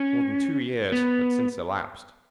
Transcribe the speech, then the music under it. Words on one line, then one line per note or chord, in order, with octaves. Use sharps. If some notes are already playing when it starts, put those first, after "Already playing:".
More than two years had since elapsed.
Already playing: C#4
B3